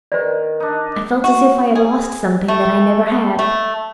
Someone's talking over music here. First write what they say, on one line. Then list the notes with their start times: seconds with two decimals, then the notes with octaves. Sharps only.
I felt as if I had lost something that I never had.
0.12 D#3 B4 D5
0.60 D4 D#4
1.24 F#4
1.75 G#4
2.48 A3
3.39 A3